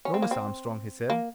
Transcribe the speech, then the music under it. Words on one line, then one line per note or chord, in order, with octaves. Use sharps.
"No, Miss Armstrong," he said.
C#4
C4
A#3
C4
A#3